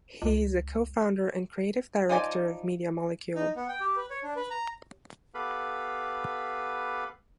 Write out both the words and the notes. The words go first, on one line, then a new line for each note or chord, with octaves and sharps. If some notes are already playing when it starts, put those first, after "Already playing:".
He is a co-founder and creative director of Media Molecule.
C#2
F3 D#4 C5 D5 G#5
D#4
B3
G5
G4
B4
C#5
D4
B4
A#5
B3 G4 A4 B4 F5 B5